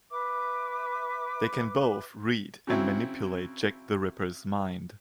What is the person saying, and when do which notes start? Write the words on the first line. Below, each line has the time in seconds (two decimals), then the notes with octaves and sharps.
They can both read and manipulate Jack the Ripper's mind.
0.10 B4 E5 D6
2.67 C#3 F#3 C4 E4